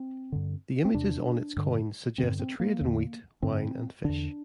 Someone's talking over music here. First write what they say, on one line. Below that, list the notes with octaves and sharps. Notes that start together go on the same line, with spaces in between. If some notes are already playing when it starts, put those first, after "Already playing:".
The images on its coins suggest a trade in wheat, wine and fish.
Already playing: C4
G2 D3
C4
E2 C3 D4
G2 D3
G2 D3 C4
C4
A#3
E2 D3
G2 D3 C4
E2 D3 D4